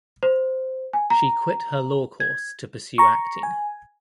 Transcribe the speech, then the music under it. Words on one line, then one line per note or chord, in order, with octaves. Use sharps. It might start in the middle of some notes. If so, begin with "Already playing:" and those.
She quit her law course to pursue acting.
C5
G#5
A#5
G#6
A#5 C#6
G#5